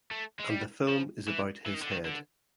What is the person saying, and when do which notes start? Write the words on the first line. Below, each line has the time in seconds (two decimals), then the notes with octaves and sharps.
And the film is about his head.
0.11 A3
0.39 G#3
0.50 G3
0.88 F3
1.28 E3
1.66 E3
1.74 D#3
1.82 D3
1.91 D#3
2.05 D3